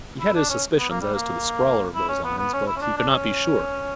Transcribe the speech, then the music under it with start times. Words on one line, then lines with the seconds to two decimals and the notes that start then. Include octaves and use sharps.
He had his suspicions as to the scrawler of those lines, but he could not be sure.
0.20 E4
0.35 D4
0.49 C#4
0.78 B3
0.90 A#3
1.01 G3
1.13 A#3
1.95 E4
2.09 C#4
2.24 B3
2.38 B3
2.53 C#4
2.67 E4
2.76 C#4
2.81 D4
2.97 D4
3.10 C#4